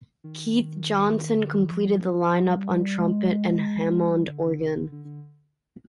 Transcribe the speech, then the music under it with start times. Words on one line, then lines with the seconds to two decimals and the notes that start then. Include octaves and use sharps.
Keith Johnson completed the line-up on trumpet and Hammond organ.
0.24 D#3
1.33 D3
1.53 D#3
1.70 F3
2.44 G3
2.72 G3
2.99 G#3
4.09 G3
4.28 D3
4.46 D3
4.65 C3
4.77 D3
4.92 D3
5.05 D3